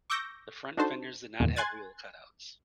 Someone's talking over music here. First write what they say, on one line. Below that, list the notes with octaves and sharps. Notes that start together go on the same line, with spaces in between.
The front fenders did not have wheel cutouts.
C#6 D6 E6 G6 A#6
D4 D#4 F#4 A4 C5 A5
E2 G2 A#2 D3 D#3
G#5 C6 F#6 G#6 A6